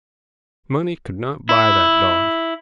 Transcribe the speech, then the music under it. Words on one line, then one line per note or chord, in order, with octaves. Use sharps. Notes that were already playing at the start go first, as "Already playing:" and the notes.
Money could not buy that dog.
E4